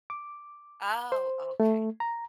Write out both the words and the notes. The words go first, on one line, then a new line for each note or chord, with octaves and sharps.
Oh, okay.
D6
C5
A3
A#5